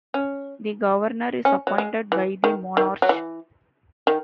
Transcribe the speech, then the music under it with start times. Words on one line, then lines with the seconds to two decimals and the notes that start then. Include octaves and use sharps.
The Governor is appointed by the Monarch.
0.14 C#4
1.45 C#4
1.67 F#3
1.78 G#3
2.12 E3
2.44 D#3
2.77 D#3
3.02 F#3
3.09 E3
4.07 D#3